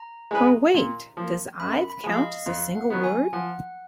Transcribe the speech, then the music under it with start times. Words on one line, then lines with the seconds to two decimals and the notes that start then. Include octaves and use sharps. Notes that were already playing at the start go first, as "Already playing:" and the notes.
Or wait, does I've count as a single word?
Already playing: A#5
0.31 G#3 D#4 G#4 B4
0.74 A#2
1.17 F3 A#3
1.60 F#2 B5
1.90 B5
2.04 F3 G#3
2.12 F5
2.18 D#5
2.46 F2 F5
2.75 F#5
2.90 D#3 F#3 B3
3.04 G#5
3.33 F3 F#5